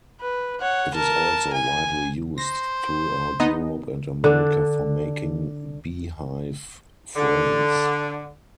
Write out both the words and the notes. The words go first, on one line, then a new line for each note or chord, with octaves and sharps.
It is also widely used throughout Europe and America for making beehive frames.
B4
C#5 F#5
A#4 A5
G#5
C5 A#6
B3 D#4 D#5
D3 D4
D3